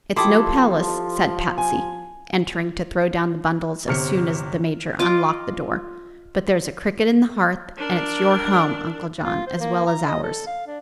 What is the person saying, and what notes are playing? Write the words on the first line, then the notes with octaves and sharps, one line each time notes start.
"It's no palace," said Patsy, entering to throw down the bundles as soon as the Major unlocked the door, "but there's a cricket in the hearth, and it's your home, Uncle John, as well as ours."
F3 E4 G4 A4 A5 C6 D6 D#6
G#5
G1 C3 F6 C#7
F4 D#5 D6
D4 A#4
F4
C5
A#3
A#5
D#5
A4
F5
D4